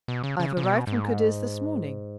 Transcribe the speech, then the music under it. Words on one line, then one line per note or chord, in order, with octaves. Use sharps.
I have arrived from Cadiz this morning.
B2
C#3
C#3
C#3
B2
G#2